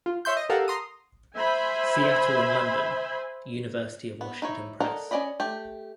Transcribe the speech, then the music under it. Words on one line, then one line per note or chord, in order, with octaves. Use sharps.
Seattle and London: University of Washington Press.
F4
C#5 E5 C6 G6
D#5
G4 A4 A#4 F5 F#5
A#5 C6 D#6
C5 E5 G#5 B5
B3
D#4 E4 C#5
A4 A#4 D5 D#5 F#5
C#4 G#4 D5 D#5 B5
A3 G4